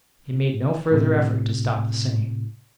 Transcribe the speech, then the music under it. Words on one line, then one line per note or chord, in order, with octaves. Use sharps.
He made no further effort to stop the singing.
A2 C3